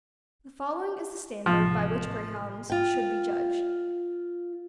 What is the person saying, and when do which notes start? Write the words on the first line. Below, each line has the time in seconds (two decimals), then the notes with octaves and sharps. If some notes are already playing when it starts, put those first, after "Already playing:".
The following is the standard by which Greyhounds should be judged.
1.46 A1 C3 F3
2.70 F4 G5